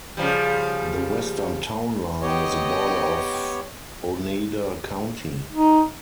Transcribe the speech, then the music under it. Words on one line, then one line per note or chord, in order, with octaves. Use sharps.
The western town line is the border of Oneida County.
C#3 F3 G3
B3 G4 C#5 D#5 G5
D#4